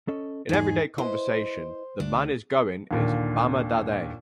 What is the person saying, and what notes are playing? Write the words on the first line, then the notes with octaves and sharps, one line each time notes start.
In everyday conversation 'the man is going' is "bama dhaday".
C#4 A4 D#5
E2 G#2 D#3 G#4
E4 B4 C5 D#5
D2 D4
D#2 A#2 D3